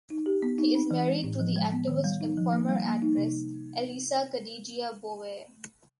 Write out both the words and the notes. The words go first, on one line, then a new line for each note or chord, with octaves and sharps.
He is married to the activist and former actress Elisa Kadigia Bove.
D#4
G4
B3
D#4
C4
E3
G#3
A2
F3
G#3
B3
D#3
G3
D#4
F3
A#3
G3
A#3
D#4
C3